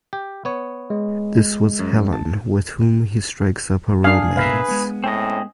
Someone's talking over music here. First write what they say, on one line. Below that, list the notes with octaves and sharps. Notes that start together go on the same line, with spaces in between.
This was Helen, with whom he strikes up a romance.
G4
B3 C#5
G#3
F#2
A5
D4 G#4 F5
B2 A#4 B4 E5 F5
G#3 B3
A2 C4 C#4 D#5